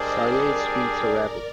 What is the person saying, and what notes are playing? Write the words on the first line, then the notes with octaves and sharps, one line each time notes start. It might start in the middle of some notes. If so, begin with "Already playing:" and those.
Sayegh speaks Arabic.
Already playing: G3 D4 G#4 A#4 C5 D5 D#5
A#4 D5